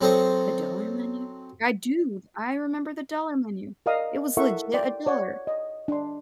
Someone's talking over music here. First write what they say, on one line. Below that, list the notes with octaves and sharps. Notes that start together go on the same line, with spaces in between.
The dollar menu? I do, I remember the dollar menu, it was legit a dollar.
F#3 C4 A4 C5 D#5 C#6
A#4 D5 D#5 F5 A#5 D#6
E4 A4 A#4 E5 F#5 C#6
D5 G5 C6
C#5 D5 F#5
D#5
D4 C6